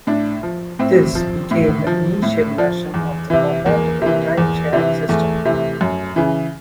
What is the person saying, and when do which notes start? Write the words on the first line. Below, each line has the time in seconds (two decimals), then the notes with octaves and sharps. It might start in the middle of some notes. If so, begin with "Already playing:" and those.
This became the initial version of the Compatible Time-Sharing System.
0.07 A2 D4
0.43 F3
0.79 A2 C4
1.15 F3
1.51 A2
1.87 F3
2.22 A2
2.58 F3
2.94 E2
3.30 C3 E3
3.66 E2 A#3
4.02 C3 E3
4.38 E2
4.73 C3 E3
5.09 E2 A3
5.45 C3 E3
5.81 F#2
6.16 C#3 E3